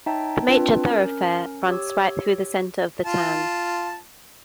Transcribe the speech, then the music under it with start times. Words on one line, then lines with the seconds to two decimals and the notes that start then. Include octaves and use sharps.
The major thoroughfare runs right through the center of the town.
0.06 D#4 C#5 E5 G5 A5
0.48 C4 D4 F4 B4 G5 A5
0.90 C#4 A#4
1.68 G4 C#5 E6
3.05 F4 A5